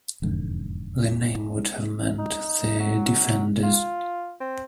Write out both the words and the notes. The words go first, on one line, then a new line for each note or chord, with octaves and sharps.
The name would have meant the "defenders".
E1 F2 G#2 D3
D#4
F#3
F4
C4